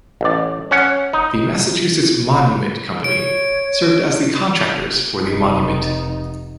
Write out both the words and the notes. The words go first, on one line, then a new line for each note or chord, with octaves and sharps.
The Massachusetts Monument Company served as the contractors for the monument.
A1 D5
C#4 C#5 F#5
D#4
C#5 D7
F1 D#4